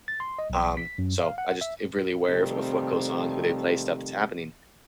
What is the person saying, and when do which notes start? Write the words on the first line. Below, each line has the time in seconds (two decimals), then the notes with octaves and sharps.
Um, so I just really aware of what goes on, who they play, stuff that's happening,
0.08 A6
0.20 C6
0.39 D#5
0.50 B1
0.77 B6
0.98 F#2
1.20 F5
1.38 F#5
1.61 E5
2.29 C3 D#3 F3 G3 A3 C4